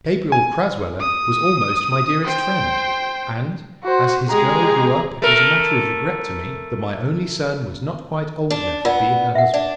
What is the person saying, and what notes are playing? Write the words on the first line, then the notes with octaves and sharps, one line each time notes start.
Gabriel Crasweller was almost my dearest friend, and as his girl grew up it was a matter of regret to me that my only son was not quite old enough to be her husband.
G#5
D#6
C5 G5
F#4 C5
G#3 G4 G#4 A#5
A3 A#4
D4
B3 F4 A#4 D5
E5 F#5
D4 D5